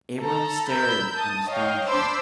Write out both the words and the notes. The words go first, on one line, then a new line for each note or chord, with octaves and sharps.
Abram stared in astonishment.
A4 A#5
A#4 B5 E6 G6
A5 D#6
C#5 D#5 F5 G5
D4 C5 B5 C6 D6 E6